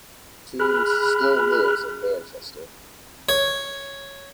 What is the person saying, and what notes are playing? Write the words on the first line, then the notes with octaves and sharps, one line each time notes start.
Tunes still lives in Manchester.
G#4 B5 F6 F#6
C#5